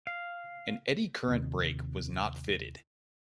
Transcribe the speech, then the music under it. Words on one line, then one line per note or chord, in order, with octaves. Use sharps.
An eddy current brake was not fitted.
F5
D#2 C3